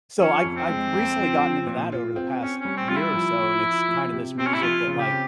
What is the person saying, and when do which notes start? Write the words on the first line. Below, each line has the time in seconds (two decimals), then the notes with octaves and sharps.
So, I I've recently gotten into that over the past year or so, and it's kinda this music, that, like
0.19 F3 C#4
0.44 F2
0.57 C4
0.69 G#3
0.93 F2
1.18 F3
1.42 F3
1.67 A#2
1.92 F4
2.16 C4
2.41 C4 C#4
2.60 G3 C#4
2.77 C4
2.89 G3 F4
2.96 E4
3.14 F3
3.40 F3
3.63 F3
3.89 F3
4.13 C3
4.38 C3 C4
4.47 C#4
4.54 E4
4.62 F3 F4
4.87 C#3
4.99 G4
5.11 C4